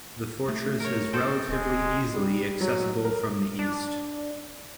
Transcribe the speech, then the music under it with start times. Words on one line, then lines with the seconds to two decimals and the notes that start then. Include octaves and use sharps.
The fortress is relatively easily accessible from the east.
0.48 A3
0.80 A#4 C#5
1.13 C4 A4 C5
1.49 D#1 G#3
2.14 G3
2.61 F#3
3.04 A#4
3.59 D4